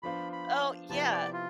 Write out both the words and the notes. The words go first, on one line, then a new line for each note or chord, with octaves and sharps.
Oh, yeah.
F3 B3 D4 F4 C5 B5
B5
C3 F3 B3 E4 G4 A5
D5
F4